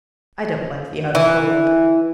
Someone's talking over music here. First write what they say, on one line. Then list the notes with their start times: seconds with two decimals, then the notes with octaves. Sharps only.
I don't like the outer Cold.'
1.15 E3